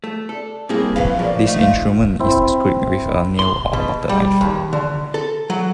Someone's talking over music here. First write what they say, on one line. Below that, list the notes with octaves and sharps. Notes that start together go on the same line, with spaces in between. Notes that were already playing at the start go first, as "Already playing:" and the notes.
This instrument is scraped with a nail or butter knife.
A3
D4 A4
C3 G3 A#3 E4 G#4
A#1 F#3 F4 B4 F5
B2 F3 A#3 E4 D5
A3 D#4 F4
C4 E4
C6
B2
G3
D#2
D3
A4
F#3